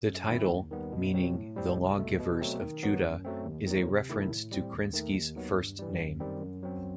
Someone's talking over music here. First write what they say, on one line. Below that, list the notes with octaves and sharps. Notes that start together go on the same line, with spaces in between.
The title, meaning "The Lawgivers of Judah", is a reference to Krinsky's first name.
F#2
D#3 A3 C4 E4
D#2
D#3 G3 B3
B2
F#3 C4
A2
G3 C4
C2
B2 A3
B2
F#3 A3 C4
D#3
F#3 B3
F#2
F#3 A3 C4
D#2
D#3 F#3
C3
D#3 A3 E4
A2
G3 C4
D#2
D#3 A3
D#2
D#3 F#3 B3
G2
E3 G3
F#2
D#3 G3 C4
F#2
F#3 C4